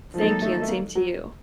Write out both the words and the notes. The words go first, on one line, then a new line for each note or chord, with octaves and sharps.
Thank you, and same to you.
D#3 F3 F#3 A#3 D#4 A4
A3
A3
A#3
F#3